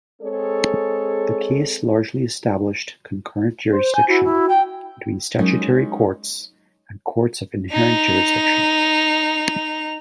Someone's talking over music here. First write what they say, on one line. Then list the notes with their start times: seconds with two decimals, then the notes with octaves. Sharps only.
The case largely established concurrent jurisdiction between statutory courts and courts of inherent jurisdiction.
0.22 G#3 C4 G#4 A4 C#5
3.72 C5
3.94 G#5 G6
4.08 E4 F#4
4.24 E4
4.48 G5
5.39 F#3 G#3 C#4 D#4 A#4
7.72 D#4 F7